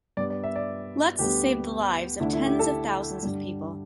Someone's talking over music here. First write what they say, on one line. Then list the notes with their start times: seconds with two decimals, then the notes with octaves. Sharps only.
Lutz saved the lives of tens of thousands of people.
0.17 G2 G3 B3 D5
0.30 D5
0.43 E5
0.56 D5
1.19 D2 D3 G3 B3 G4
2.20 D2 D3 A3 D4 E4
2.33 E4
2.45 G4
2.59 A4
3.22 G2 D3 G3 D4